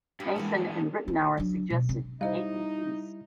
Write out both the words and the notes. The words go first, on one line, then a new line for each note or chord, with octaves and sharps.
Mason and Ritenour suggested Nathan East.
G2 B3 G4
E3 G#3 A#3
E4
F#3 D4
B2
C3 C4
G3 D#4 E4 C5 D#5 F5